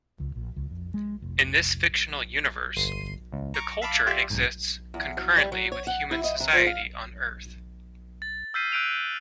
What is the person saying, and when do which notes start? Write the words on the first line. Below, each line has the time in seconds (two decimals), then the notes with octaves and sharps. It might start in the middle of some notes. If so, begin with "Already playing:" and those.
In this fictional universe, the Culture exists concurrently with human society on Earth.
0.20 C#2
0.36 A#1
0.56 C#2
0.71 F2
0.94 G#3
1.22 F1
2.76 G1 C6 C7 D#7
3.32 C#2
3.54 A#5 C#6 D6
3.82 E5 F5 A5 B5 D6
4.06 F4 G4 D5 E5 F5
4.30 B1 G#2
4.94 E2
5.17 F#3
5.37 G3
5.52 F#3
5.72 C#5
5.87 F#5
6.11 E4
6.24 D#5
6.40 C3
6.53 F3
6.67 F5
8.22 A6
8.54 E6 F6 G6 B6 C7 D#7
8.72 E6 F#6 G6 D7 D#7 F7
8.92 G6